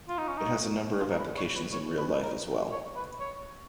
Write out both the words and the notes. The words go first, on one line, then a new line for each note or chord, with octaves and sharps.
It has a number of applications in real life as well.
F4
D#4
C#4
D#4
F4
A#4
B4
C#5
B4
C#5
B4
A#4
C#5
B4
C#5